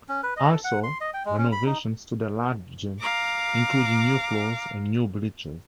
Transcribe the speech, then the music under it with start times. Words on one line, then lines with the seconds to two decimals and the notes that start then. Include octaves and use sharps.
Also, renovations to their large gym including new floors and new bleachers.
0.09 C#4
0.23 B4
0.37 D#5
0.52 A4
0.64 F#5
0.84 C6
1.01 D#5
1.14 G5
1.25 G#3
1.38 C#4
1.52 B5
1.66 D#4
2.98 F5 A#5 D6